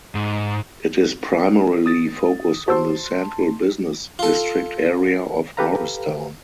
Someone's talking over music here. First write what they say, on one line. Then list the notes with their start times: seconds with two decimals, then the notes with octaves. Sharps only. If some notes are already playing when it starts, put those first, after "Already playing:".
It is primarily focused on the central business district area of Morristown.
0.15 G#2
1.86 D#6 A6
2.68 F#4 C5 A5 C6 E6
4.19 F4 A4
5.57 G4 A4 B4 F5 A#5